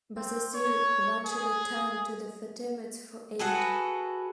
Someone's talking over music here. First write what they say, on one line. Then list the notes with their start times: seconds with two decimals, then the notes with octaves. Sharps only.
Basasiri eventually turned to the Fatimids for aid.
0.16 C4
0.54 C#5
1.25 G#4
3.39 F#4 G#4 A4 B4